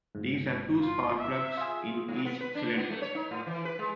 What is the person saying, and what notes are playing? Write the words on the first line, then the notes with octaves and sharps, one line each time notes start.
These have two spark plugs in each cylinder.
G1 G#2
F4
E5
F4 G#4
G#2
B3
B4
D4
B3
A3
C#5
D#4
A2
E3
B4
G#3